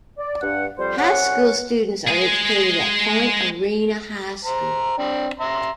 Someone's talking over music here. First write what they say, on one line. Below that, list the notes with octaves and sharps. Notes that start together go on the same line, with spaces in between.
High school students are educated at Point Arena High School.
D5
G2 F#5
F2 G3 C5
C2 C#4 C#5 F#5
G#3 G#4
C5 A#5
C4 D4
E5 A#5 C6